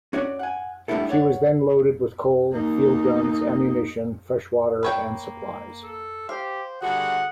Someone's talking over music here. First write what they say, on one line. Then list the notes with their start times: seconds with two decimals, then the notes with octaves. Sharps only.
She was then loaded with coal, field guns, ammunition, fresh water, and supplies.
0.13 C#4 F#4 C#5 D5
0.39 F#5 G#5
0.88 G3 A3 B3 D4 E4 A4
1.09 C#5 D5 F#5
2.53 A#3 D#4
4.83 A#3 B4 C#5 G5
5.83 A4
6.29 G4 C5 F5
6.82 G2 D3 F#4 G#4 F#5